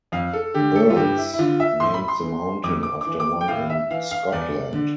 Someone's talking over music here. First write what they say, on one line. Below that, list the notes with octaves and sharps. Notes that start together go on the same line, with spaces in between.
Burns named the mountain after one in Scotland.
F2 F5
A4
D3 G4
A4
F4
G2 G4
E4
E4
D3 F4
E5
A2 C6
B5
C6
E3
F2 D6
D6
D6
E3
D6
G5
A2 F5
E5
E3 F5
F5
E2 D5
D3